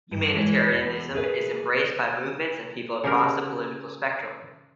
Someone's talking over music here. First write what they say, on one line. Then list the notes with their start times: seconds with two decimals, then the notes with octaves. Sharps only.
Humanitarianism is embraced by movements and people across the political spectrum.
0.11 G2
0.34 E3 G#3 C#5
0.72 E2
1.15 G#4 A#4 B4 E5
3.04 C#3 G4 A#4